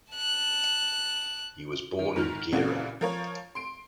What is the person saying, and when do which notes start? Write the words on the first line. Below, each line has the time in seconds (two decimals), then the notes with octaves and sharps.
He was born in Gehren.
0.13 A5 F#6
1.99 D#3
2.16 G#2 D#3 F6 F7
2.53 A#2 C#3 E3 D4 F#4
3.01 F3 A#4 C#5
3.55 C6 D7